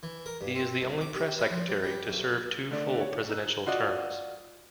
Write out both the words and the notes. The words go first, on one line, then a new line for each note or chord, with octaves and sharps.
He is the only press secretary to serve two full presidential terms.
E3
A#4
G2
C4
C2
D6
G4
E4
F3
G3
G3
B1
D3 A3 D4 D5
C#5
D#4 E6 F#6
F4 F#4 D5 D#5